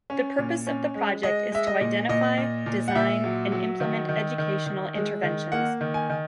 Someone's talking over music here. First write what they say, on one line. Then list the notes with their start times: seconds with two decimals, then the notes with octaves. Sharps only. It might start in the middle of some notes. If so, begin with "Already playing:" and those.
The purpose of the project is to identify, design and implement educational interventions.
0.10 C#4
0.38 A#2
0.67 C#4
0.95 G#3
1.23 G#3 D#5
1.52 G#3 E5
1.67 D#5
1.81 A#2
2.09 A#2 D#5
2.37 A#2
2.66 A#2
2.88 F#5
2.95 A#2 E5
3.24 F#3
3.52 F#3
3.80 D#3
4.09 D#3
4.38 D#3
4.66 D#3
4.95 G#3
5.23 D#3
5.52 A#3 F#5
5.81 D#3
5.94 G#5
6.10 D#3